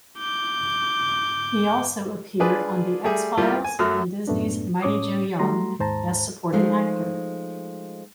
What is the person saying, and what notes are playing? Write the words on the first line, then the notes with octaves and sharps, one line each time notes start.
He also appeared on "The X-Files" and Disneys "Mighty Joe Young" as supporting actor.
D6 G6
D4 F4 G#4 B4
G3 A3 G#4
G3 A#3 E4 F4
G#5
F#2 A3 F#4 F6
F#2 A2 A3 B3 D4
A2 C#4 C#5 D6 D#6
F#3 G3 A3 F#4 A#5 C6
D#2 G#2 C5 A5 A#5
F3 G#3 A3 D#4 C5